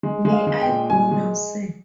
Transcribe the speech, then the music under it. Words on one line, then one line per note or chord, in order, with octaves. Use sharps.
May I go now, sir?
G#3
G#3
F5
G#3
G5
A#2
G#3 G#5
G#3